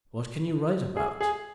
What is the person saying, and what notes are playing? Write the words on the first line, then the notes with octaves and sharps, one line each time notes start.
What can you write about?
G#4
G#4